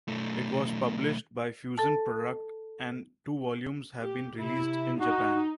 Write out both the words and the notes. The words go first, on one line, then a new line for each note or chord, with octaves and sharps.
It was published by Fusion Product and two volumes have been released in Japan.
B1 A3
A4 A5
G4
C3 E4
D#4 F#4